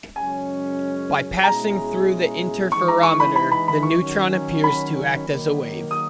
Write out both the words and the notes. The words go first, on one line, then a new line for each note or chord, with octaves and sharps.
By passing through the interferometer, the neutron appears to act as a wave.
F#2 C#3 G#3 C#4 G#5
B2 G#3 C#4 E4 G#4 A#5
E3 G#3 D#4 C#6
A#5
C#6
B5
B5
B5
B5
C#6
D#3 F#3 C#4
B5
D#3 F#3 A#3
D#6